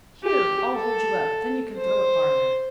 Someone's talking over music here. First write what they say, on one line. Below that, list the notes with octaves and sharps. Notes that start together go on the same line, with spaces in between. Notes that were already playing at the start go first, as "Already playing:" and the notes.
Here, I'll hold you up, then you can throw it farther.
G4
A4
C5